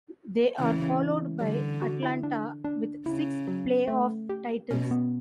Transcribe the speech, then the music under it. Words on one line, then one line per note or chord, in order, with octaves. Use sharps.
They are followed by Atlanta, with six playoff titles.
C#3 E3
D3 G3
F#4
E4
D4
D4
C#3 E4
F#3
A3
G4
B2 C#4
B3